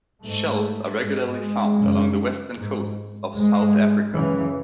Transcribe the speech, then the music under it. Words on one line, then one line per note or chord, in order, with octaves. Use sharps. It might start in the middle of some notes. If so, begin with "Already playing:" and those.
Shells are regularly found along the western coasts of South Africa.
G#2 A3
G#2 G#3
F#2 C#3
G#2
G#2 G#3
F#2 C#3 E3